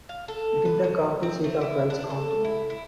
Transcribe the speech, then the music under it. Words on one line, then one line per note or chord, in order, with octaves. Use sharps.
It is the county seat of Wells County.
F5
A4
B4
C#3
C4
A3
E4
D4
A4
E4
E4